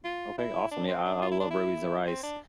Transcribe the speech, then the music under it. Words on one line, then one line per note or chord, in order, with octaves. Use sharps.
M okay, awesome. Yeah, I I love red beans and rice
F4
E4
D4
C4
D4
F4
E4
D4
E4
C4
D4